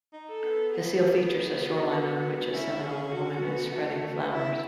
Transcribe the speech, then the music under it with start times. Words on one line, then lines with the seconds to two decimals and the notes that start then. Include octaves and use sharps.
The seal features a shoreline on which a Seminole woman is spreading flowers.
0.13 D#4
0.28 A4
0.43 B3
0.72 B3 G#4
1.63 F#4
2.52 C#4 E4
2.81 G#4
3.11 F#4
3.41 B3
3.72 A3
4.02 A3
4.31 B3 E4